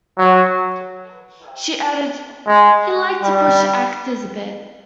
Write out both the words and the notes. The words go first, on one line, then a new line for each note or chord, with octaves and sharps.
She added: "He liked to push actors a bit".
F#3
G#3
G3